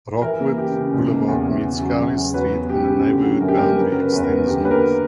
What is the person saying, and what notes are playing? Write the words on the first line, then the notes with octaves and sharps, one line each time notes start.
Rockwood Boulevard meets Cowley Street and the neighborhood boundary extends north.
E3 A#4
A#3
C#3 G4
C#3
B2
A#3
E2
E2
C#3
F#3
E2
E2
F#3 B4
B3
C#3 G4
C#3
D3 G4
F#3
F#2 A#4
G4
A#3 A#4
C#3 B4
F#3 A#4
B4
E2 B4
A#4
B3
D3 G4
A#3 B4
A#4